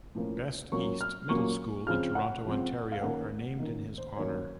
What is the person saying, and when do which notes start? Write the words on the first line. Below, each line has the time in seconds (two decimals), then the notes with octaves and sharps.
Best East Middle School in Toronto, Ontario, are named in his honour.
0.15 A2 F3 A#3 C#4
0.72 A#2 F#3 A#3 C#4 C#6
1.01 F6
1.29 A#2 F#3 A#3 C#4 C#6
1.87 C#3 F3 C4 F6
2.15 F#5
2.45 C#3 F3 C4
2.92 F5
3.01 D#3 A#3 C#4 F#5
3.59 D#3 A#3 C#4
3.98 C5
4.16 D#3 F#3 A#3 C#4 C#5